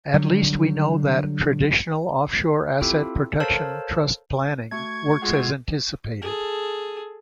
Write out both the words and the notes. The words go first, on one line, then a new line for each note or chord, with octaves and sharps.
At least we know that traditional offshore asset protection trust planning works as anticipated.
D3 F#3 G3
C4 E4 F4 G4 A4
A4 A#4 C5 C#5 F5 A5
A3 F#4 C#6 G#6
G#3 F4 F#5 C6 E6
G#4 A4